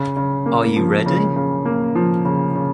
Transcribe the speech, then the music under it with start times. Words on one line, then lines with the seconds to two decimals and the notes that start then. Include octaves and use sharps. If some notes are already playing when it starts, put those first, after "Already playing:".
Are you ready?
Already playing: C#3
0.17 C#3
0.46 A#3
0.76 F3
1.06 C#3
1.36 C#3
1.65 A#3
1.95 F3
2.25 C#3
2.56 C#3